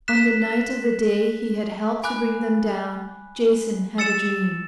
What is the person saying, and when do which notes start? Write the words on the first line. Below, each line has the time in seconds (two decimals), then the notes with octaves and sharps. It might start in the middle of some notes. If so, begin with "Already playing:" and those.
On the night of the day he had helped to bring them down Jason had a dream.
0.08 F#6 B6 E7
2.04 G#5 B5 D6 F#6
3.98 E6 A6 C#7 E7